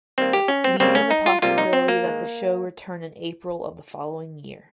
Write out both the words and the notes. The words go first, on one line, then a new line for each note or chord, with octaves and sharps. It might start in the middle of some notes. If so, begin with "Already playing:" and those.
Leaving the possibility that the show returned in April of the following year.
D#3 G3 A#3 C4
G4
C#4
C4
C#3 G3 A#3 C4
C#4
D#4
F4
C3 G3 A#3 F4
D#4
C4
A#3
D#3 G#3